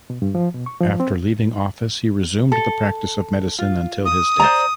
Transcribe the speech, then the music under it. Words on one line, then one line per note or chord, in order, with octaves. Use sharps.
After leaving office, he resumed the practice of medicine until his death.
B2
G2
F3
B2
C#6
F3
C4
A4
F4
D#6
C5 D5 A#5